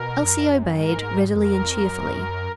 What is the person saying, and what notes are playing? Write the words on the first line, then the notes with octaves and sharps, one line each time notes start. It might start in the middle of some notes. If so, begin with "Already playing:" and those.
Elsie obeyed, readily and cheerfully.
Already playing: B2 A#4
F#2
G#2 A#4
F2 A#4
F#2